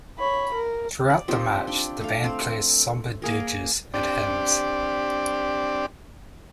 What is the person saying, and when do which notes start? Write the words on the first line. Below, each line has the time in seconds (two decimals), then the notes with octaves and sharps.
Throughout the march, the band plays somber dirges and hymns.
0.19 C#5 B5
0.54 A#4
1.10 D5
1.28 C4 D#4 F4 G4
1.67 D4 G5
2.00 A3 A4 F5
2.24 C4
3.22 A#3 G#4 A#4
3.94 C4 D4 G4 D5